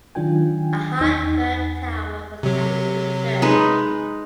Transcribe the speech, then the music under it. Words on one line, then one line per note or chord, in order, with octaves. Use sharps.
A high bell tower was added to the church.
D#3 F#3 D4 F4 G5 G#5
E2 D#4 G#5
C3 F#3
G#3 D#4 B4